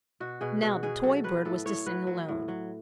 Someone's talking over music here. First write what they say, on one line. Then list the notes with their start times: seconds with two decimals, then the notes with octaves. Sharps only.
Now the toy bird was to sing alone.
0.20 B2 F#4
0.41 B2 G#4
0.62 B2 F#4
0.83 B2 G#4
1.03 F#3 A4
1.24 F#3 B4
1.45 A2 A4
1.66 A2 C#5
1.86 F#3 B4
2.07 F#3
2.28 A2
2.48 F#3